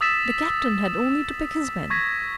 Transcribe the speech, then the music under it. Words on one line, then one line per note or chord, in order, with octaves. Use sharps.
The captain had only to pick his men.
D#6 E6 A6 B6 E7
D#6
C#6 G#6 A#6 B6